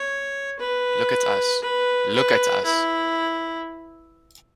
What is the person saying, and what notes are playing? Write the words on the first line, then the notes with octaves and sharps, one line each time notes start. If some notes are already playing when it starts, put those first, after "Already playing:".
Look at us — look at us!
Already playing: C#5
B4
B4
B4
E4